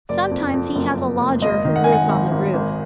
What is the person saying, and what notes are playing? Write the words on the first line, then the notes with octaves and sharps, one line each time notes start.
Sometimes he has a lodger who lives on the roof.
F#1 D5
F2
F2
F#1
F#1
F#1
G#1 D#5
D#3
F#5
G#1 G#5
F#5
G#1 F#5
G#1
G#1